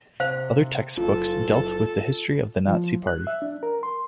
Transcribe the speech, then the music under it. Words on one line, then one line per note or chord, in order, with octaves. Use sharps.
Other textbooks dealt with the history of the Nazi Party.
C3 C5 F5
F#1 F4 A4
F3
F#6
E5
D4
A#4
C6